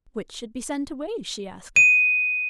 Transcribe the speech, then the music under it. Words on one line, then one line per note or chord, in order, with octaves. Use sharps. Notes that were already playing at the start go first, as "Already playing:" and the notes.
"Which should be sent away?" she asked.
D#7